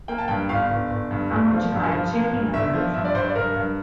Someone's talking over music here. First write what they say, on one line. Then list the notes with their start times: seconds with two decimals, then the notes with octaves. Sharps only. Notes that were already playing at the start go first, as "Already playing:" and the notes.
I want to buy two hamburgers.
0.08 A#3 G5
0.18 A5
0.28 G2 G5
0.49 G1 F5
0.70 G1
0.90 G1
1.11 G2
1.31 G1
1.51 F3
1.72 G2
1.93 F3
2.13 A#3
2.33 G2
2.53 G1 E5
2.73 F3
2.94 G2 E5
3.05 D5
3.15 G2 C5
3.25 D5
3.36 G2 A#4
3.56 G2